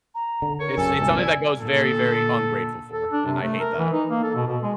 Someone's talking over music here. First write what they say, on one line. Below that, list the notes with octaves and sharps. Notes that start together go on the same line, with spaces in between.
It's it's something that goes very, very ungrateful for, and I hate that.
A#5
D3
A#4 C#5
F#2 C#3 A4 G#5
C#2 G2 B2 G#5
E4 D5
A#2 D3 A4
A4
D4
C3
A3
A#4
E3
D#4
A#3
A4
B2
B2
G#3